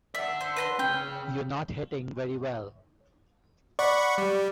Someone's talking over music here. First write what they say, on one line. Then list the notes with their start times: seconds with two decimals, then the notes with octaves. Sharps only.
You're not hitting very well.
0.15 D5 E5 F#5 E6 B6
0.41 C5
0.56 B4 A#5 C6
0.79 C#3 C#4 G5
3.79 D5 F#5 B5 C#6
4.18 G3